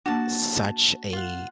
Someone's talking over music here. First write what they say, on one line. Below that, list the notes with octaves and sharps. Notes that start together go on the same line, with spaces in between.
such a
A#3 D4 F#4 A5
F4 F#5